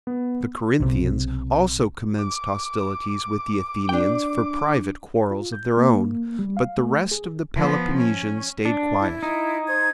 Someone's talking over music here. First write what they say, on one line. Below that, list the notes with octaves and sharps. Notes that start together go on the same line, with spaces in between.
The Corinthians also commenced hostilities with the Athenians for private quarrels of their own; but the rest of the Peloponnesians stayed quiet.
B3
B1 C3
D6
D4 G5
F4
G6
A#3
G3
F5
A3
G#4
F3 B3
C#4
D4
E4
D#4
C5 G#6